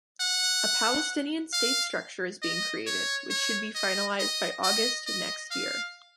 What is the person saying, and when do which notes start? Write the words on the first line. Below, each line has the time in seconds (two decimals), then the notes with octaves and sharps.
A Palestinian state structure is being created, which should be finalized by August next year.
0.20 F#5
1.53 F5
2.42 D#5
2.86 C#5
3.30 C#5
3.75 D#5
4.19 D#5
4.63 D#5
5.06 D#5
5.51 F5